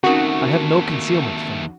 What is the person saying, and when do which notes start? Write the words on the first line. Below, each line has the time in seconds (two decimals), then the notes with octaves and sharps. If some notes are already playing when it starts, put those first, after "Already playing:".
I have no concealments from you.
0.04 D#2 A3 C4 C#4 D#4 F#4 A#4